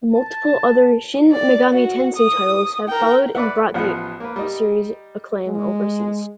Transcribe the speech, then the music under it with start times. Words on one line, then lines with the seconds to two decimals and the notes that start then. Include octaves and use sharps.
Multiple other "Shin Megami Tensei" titles have followed and brought the series acclaim overseas.
0.12 A5
1.33 D5
1.73 F#4
2.16 D#6
2.88 A#4 G5
3.35 B4 D5 E5 F#5
3.74 A1 F3 B3 F#5
4.20 A#3 B4
4.36 G3 D#4
5.47 G#3